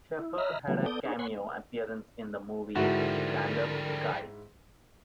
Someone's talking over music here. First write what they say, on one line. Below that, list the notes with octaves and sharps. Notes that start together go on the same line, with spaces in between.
Sheffer had a cameo appearance in the movie "Stand Up Guys".
E4
D#5 E5 A#5 B5 F6
C#3 E3 F#3 G3 A3 B3
B3 A4 D5 D#6 G6
D4 D#4 G#4 C5 C#5
C#5 F#5 G#5 B5 C6
G#2 D3 F3 G3 E4 F#4 A#4